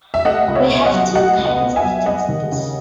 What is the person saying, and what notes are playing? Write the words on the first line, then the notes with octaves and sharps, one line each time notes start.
We have two kinds of justice.
E5
A3 D#5 F#5
C#2
C#5 E5
B2
D#5 F#5
F#3
A3 D#5 F#5
C#2
D#5 F#5
B2
E5 G#5
F#3
B3 D#5 F#5
D#2
C#3